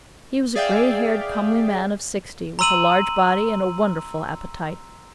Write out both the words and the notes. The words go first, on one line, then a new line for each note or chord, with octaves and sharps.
He was a grey-haired comely man of sixty, with a large body and a wonderful appetite.
G#4 D5 E5 F5 G5
A#5 C6 E6 D#7 F#7